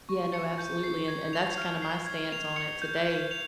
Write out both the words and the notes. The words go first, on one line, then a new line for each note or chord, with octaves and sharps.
Yeah, no, absolutely, and and that's kind of my stance on it today,
C#6
C#7
G6
C7
G#6
F7
F6
C7
G#6
F7
C#7
G6
G6
F7